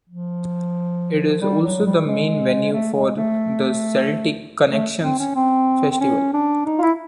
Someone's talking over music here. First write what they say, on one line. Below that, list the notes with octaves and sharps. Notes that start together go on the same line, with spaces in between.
It is also the main venue for the Celtic Connections Festival.
F3
G3
F#3
G3
G#3
A3
G#3
A3
A3
C4
C#4
C4
C4
C#4
D4
D#4
F4
E4